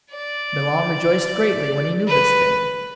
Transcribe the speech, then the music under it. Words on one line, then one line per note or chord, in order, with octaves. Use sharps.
Milon rejoiced greatly when he knew this thing.
D5
B4